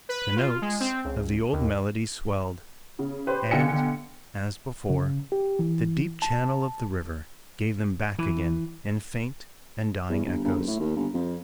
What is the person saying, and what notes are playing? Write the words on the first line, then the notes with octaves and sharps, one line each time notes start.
The notes of the old melody swelled, and, as before, the deep channel of the river gave them back again in faint and dying echoes.
B4
F4
G#3
C4
C#2
D#2
C#3
G4 B4 C5
B2 D3 F5 G5 G#5 C#7
C#3
G4
E3
A5
E3
E2
G1
G1
F#1
A2
D#2
G1
F2